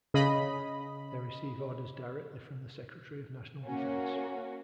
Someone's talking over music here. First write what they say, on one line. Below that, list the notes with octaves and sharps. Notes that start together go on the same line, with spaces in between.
They receive orders directly from the Secretary of National Defense.
C#3 D#5 B5
A#3 C#4 F#4